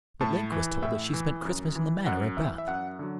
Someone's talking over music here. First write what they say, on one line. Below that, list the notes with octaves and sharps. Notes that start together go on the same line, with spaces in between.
"But Link was told that she spent Christmas in the Manor at Bath."
A2 A5
E3
A2 E5
E3
F#2
E3
F#2 F#5
E3 E5
E5
F#2 F#5
D3 F#3